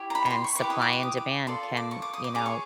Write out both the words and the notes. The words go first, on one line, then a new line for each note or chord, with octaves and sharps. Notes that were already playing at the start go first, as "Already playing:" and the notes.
and supply and demand can, you know,
Already playing: E4 G4 C#5
A#5
B5
B5
C6
C#6
C#6
E4 G4 B4 D6
D#6
D6
D6
D#6
D6
F4 A4 D5 C6
D6
C#6
D6
D#6
D6
G#4 C#5 D6
C#6